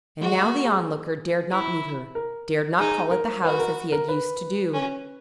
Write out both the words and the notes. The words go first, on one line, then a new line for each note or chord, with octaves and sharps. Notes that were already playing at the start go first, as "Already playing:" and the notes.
And now the Onlooker dared not meet her--dared not call at the house as he had used to do.
G#3 F#4
A#3
G#4
E4
A#4
D#4 G#4
A#4
F#4 B4
A#4
A#4
B4
C#4